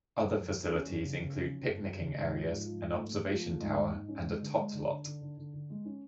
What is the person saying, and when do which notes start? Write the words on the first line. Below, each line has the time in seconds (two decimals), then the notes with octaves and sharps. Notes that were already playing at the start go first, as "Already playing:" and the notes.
Other facilities include picnicking areas, an observation tower, and a tot lot.
0.22 F#2
0.39 F#3
0.54 F#3
0.70 C#4
0.87 F#2
1.04 C#3
1.19 C#3
1.35 C#4
1.51 F#3
1.68 F#2
1.84 F#3
1.99 C#3
2.16 G#2
2.31 F3
2.47 G#2
2.64 F3
2.80 G#2
2.96 A3
3.12 A3
3.28 F3
3.45 A3
3.61 G#2
3.77 G#2
3.93 G#2
4.08 C#4
4.25 G#3
4.41 D3
4.57 G#3
4.73 D3
4.89 D3
5.05 D3
5.21 D3
5.37 D3
5.53 D3
5.70 G#3
5.85 C#4